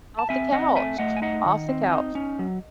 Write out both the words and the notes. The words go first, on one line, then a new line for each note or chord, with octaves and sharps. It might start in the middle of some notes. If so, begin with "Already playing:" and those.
Off the couch. Off the couch.
A5
C4 E5 G#5
C4 D#5 F#5
A3 E5 G#5
A3 D#5 F#5
G#5
D#4 D#5 F#5
D#3
C4
D#4
C#4
F#3